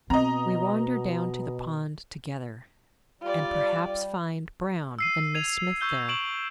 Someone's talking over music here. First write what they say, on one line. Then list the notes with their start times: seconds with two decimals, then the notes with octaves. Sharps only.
We wander down to the pond together, and perhaps find Brown and Miss Smith there.
0.10 B2 C4 D#5 A#5
3.22 G3 F4 D5
4.99 E6 C7 D#7
5.35 G#6 D#7 F7
5.81 C#6 E6 G6 G7
6.08 C#6 D7 E7 F#7